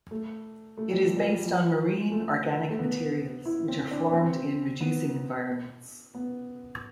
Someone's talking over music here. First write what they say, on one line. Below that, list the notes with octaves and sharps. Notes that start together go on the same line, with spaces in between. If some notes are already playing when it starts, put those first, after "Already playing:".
It is based on marine organic materials, which are formed in reducing environments.
A3
A3
G3
F3
G3
F3
A3
A3
B3
E4
C4
D4
C4
B3
B3